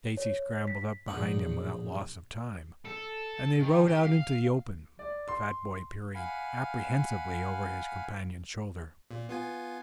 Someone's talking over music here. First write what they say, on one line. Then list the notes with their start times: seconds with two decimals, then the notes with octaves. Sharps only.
Stacy scrambled up behind him without loss of time, and they rode out into the open, the fat boy peering apprehensively over his companion's shoulder.
0.17 C#5
0.67 B6
1.08 A#1 A2 D#4 F#5
2.85 A4
3.60 D#3
3.88 G4
4.03 F5
4.99 D5
5.28 C6
6.15 F5 F#5 G#5 B5
9.11 A#2
9.29 B3 F4 G#5